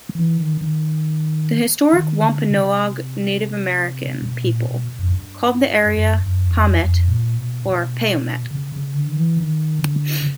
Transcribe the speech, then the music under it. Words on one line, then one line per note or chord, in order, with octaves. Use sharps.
The historic Wampanoag Native American people called the area "Pamet" or "Payomet".
E3
D#3
D#3
D#3
D3
C3
B2
A#2
B2
F#2
G2
F#2
F#2
E2
F2
F2
A#2
B2
B2
C#3
C#3
D3
D#3
E3
D#3
D3
C#3